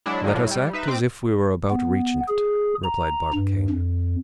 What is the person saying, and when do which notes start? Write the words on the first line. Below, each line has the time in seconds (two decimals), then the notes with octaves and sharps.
"Let us act as if we were about reaching it," replied Barbicane.
0.06 F#3 G#3 D4 E4
0.24 D3 F3 G3 A#3
0.35 A2 F#3
0.51 G3
0.73 D#4 B4 E5
0.88 C4 D6
1.70 B3
2.28 G#4
2.83 A#5
3.34 G2
3.70 F2